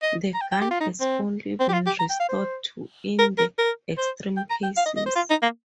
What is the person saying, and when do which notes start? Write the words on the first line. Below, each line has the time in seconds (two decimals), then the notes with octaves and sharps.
The gun has only been resorted to in the extreme cases.
0.02 D#5
0.34 A#5
0.41 G5
0.52 G5
0.61 G4
0.71 F4
0.81 D#4
1.00 C4
1.60 C4
1.69 G4
1.73 F4
1.86 G4
1.99 A#5
2.10 G5
2.20 F5
2.29 C5
3.19 A#4
3.38 A#4
3.58 A#4
3.98 C5
4.37 G5
4.50 A#5
4.63 G5
4.77 F5
4.86 D#5
4.97 D#5
5.06 C5
5.15 F4
5.30 D#4
5.42 A#3